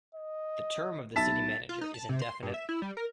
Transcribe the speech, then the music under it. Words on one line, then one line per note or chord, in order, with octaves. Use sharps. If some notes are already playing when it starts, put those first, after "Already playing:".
The term of the city manager is indefinite.
D#5
B1 E5 A5 B5 A6 B6
F4
D#4
A5
C3
C6
G2
E5
E4
G3
A#4